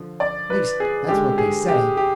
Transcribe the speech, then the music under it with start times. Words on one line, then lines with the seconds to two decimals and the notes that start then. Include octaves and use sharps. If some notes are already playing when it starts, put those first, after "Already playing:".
At least that's what they say.
Already playing: D3 F3
0.20 D5
0.50 B4
0.80 G#4
1.08 D3 G#3 G4
1.38 G#4
1.68 G4
1.97 G4